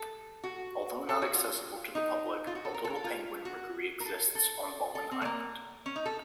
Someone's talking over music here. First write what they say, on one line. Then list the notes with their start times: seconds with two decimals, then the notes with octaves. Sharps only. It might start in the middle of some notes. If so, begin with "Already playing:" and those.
Although not accessible to the public, a little penguin rookery exists on Bowen Island.
Already playing: A4
0.44 F#4
1.09 A4
1.22 F#4
1.34 F4
1.95 D#4
2.47 F4
2.55 F#4
2.65 A4
2.74 A#4
2.85 A4
2.90 A#4
2.95 A4
3.04 F4
3.45 F#4
4.00 A#4
4.05 A4
4.35 A4
4.95 A4
5.11 C4
5.21 A3
5.25 A#3
5.86 C#4
5.96 D#4
6.06 A4